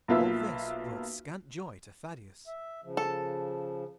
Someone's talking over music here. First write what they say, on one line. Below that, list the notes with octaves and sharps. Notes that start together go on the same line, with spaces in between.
All this brought scant joy to Thaddeus.
B1 A#3 F4 B4 E5 E6
E5
C#3 F3
A4